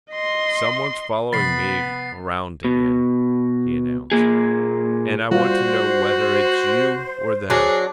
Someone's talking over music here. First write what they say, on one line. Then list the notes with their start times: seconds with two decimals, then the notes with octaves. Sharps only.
"Someone's following me around again," he announced, "and I want to know whether it's you or them."
0.11 D#5 C6
1.33 C3 F3 B3 B5 A6 C7
2.65 B2
4.12 A#2 A#3 G#4
5.31 G3 F4 F#4 C5
7.50 F#3 D4 G#4